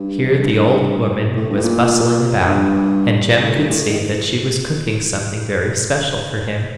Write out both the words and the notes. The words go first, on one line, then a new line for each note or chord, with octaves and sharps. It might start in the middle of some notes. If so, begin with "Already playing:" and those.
Here the old woman was bustling about, and Jem could see that she was cooking something very special for him.
Already playing: G2
F2
G2
A2
G2
A2
A#2
G2
A#2
A2
G2
A2
D#3